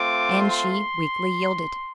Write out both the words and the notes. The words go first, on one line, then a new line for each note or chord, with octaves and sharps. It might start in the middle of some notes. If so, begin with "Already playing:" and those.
And she weakly yielded.
Already playing: A3 C4 F4 D6
C6